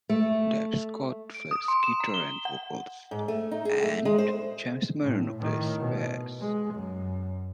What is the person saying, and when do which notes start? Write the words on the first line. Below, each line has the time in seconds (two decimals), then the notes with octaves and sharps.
Dave Scott plays guitar and vocals, and James Marino plays bass.
0.09 A3
1.35 D7
1.51 D#6
1.68 C6
1.83 E7
2.00 A#5
2.14 G7
2.45 F#5
3.11 G#2
3.28 A3
3.51 D#4
3.65 G#4
3.83 A3
4.05 G#3
4.18 C5
5.02 A2
5.38 A2 D#3
5.78 B2
6.40 G#3
6.74 F#2